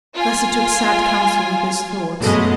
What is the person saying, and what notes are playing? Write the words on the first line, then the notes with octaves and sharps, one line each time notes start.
Thus he took sad council with his thoughts.
F4 G#5
F#2 B2 G#3 A3 D#5